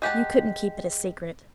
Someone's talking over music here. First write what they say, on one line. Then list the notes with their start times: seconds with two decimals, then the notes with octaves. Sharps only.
You couldn't keep it a secret.
0.02 G#3 G4 F#5 A5